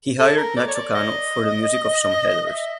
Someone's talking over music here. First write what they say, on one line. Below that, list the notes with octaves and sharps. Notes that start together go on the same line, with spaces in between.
He hired Nacho Cano for the music of some headers.
A4
A#4
D5
C#5
D5
D#5
E5